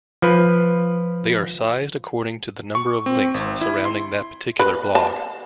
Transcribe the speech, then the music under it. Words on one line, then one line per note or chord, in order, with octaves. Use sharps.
They are sized according to the number of links surrounding that particular blog.
F3 B4
C#6
C4
G#1
E4
C6
B4
A5